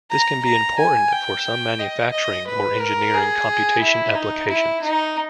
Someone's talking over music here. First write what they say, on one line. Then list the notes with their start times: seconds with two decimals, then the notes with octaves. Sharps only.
This can be important for some manufacturing or engineering computation applications.
0.11 A#5
0.44 A#5
0.79 G#5
1.12 G5
1.79 D#5
2.12 D#5
2.47 B4
2.80 A#4
3.14 G#4
3.81 E4
4.15 D#4
4.49 E4
4.82 D#4